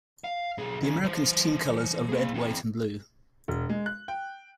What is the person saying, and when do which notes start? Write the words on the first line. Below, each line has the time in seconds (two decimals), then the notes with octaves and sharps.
The Americans' team colors are red, white and blue.
0.24 F5
0.58 B1 G#4
0.82 D#3 C#4
1.04 E3 C5
2.09 A#3 G#4
2.34 E3 C4
3.48 E1
3.69 G#3
3.86 F#6
4.08 G5